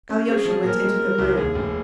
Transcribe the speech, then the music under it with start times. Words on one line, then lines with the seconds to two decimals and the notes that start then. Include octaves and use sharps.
Alyosha went into the room.
0.09 C#4
0.27 C4 G#4
0.45 F3
0.64 A#2 A#4
0.82 G#3
1.00 G3
1.18 C2
1.37 D#2 G#4
1.55 F1